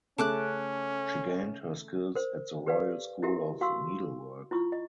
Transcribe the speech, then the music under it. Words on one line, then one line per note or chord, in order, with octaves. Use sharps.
She gained her skills at the Royal School of Needlework.
C#3 A3 C#4 A5 D6 F#6
A#4 C5
G4 A4 B4 D5 F5
E4 F#4 G4 A#4 E5
F#4 F5 C6 C#6 E6
E4 F4 C#6
D#5